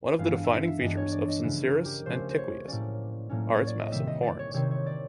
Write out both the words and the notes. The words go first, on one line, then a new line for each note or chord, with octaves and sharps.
One of the defining features of "Syncerus antiquus" are its massive horns.
G2 E3 G#3 B3 D4 F5
F#5
E5
F5
E5
G2 E3 G#3 B3 D4 D#5
C#5
D5
D#5
C#3 F3 A3 C#4 B4
A#4
G4
C#3 F3 A3 C#4 C5
C5
C#5
A2 F#3 A#3 C#4 D5
A2 F#3 A#3 C#4
C#5
D5
D#5
C3 D#3 G3 C4 E5
D#5
D5
C#5
C3 D#3 G3 C4 C#5
C#5
D5